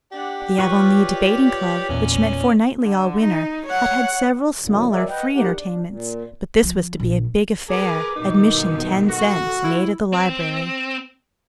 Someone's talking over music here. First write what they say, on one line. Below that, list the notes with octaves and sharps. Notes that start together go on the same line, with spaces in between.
The Avonlea Debating Club, which met fortnightly all winter, had had several smaller free entertainments; but this was to be a big affair, admission ten cents, in aid of the library.
D4 G4 F#5
F4 B4 C#5 D5 C#6
E2 A#2 C#4
D3
D#4
C#5 F#5
F#2 A2 D3
F#3 G#3 G#4 A#4 D5 E5
B4 D#5 F#5 G5
F2 G3 A#3 D#4 G4 F#5
D4
A#2
F3
A#1
G#4 A#4 B4 D6
G2 B2 D#3 D#4
F#4 A4
E4
C4